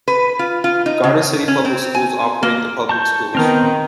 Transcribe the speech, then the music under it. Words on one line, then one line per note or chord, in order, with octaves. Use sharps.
Garden City Public Schools operates the public schools.
B4
F4
F4
D#4
C#3
C#4
C4
G#5
A#3
A5 C#6 G6
D#3 B3 C4 F6 G6